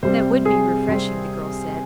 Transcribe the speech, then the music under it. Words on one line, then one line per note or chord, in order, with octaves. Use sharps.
"That would be refreshing," the girl said.
C3 G3 C4 C5
G#4
C3 G3 C4